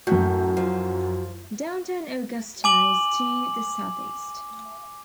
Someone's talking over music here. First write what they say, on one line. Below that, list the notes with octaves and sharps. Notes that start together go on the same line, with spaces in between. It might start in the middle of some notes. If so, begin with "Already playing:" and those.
Downtown Augusta is to the southeast.
F#2 A2 F#4 G6
F3
G#5 D6 F#7